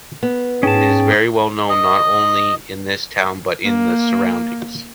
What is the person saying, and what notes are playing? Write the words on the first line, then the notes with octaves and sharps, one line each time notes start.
It is very well known, not only in this town but in the surroundings.
B3
G#2 C#4 G#4 G5 A5
D#5
A#3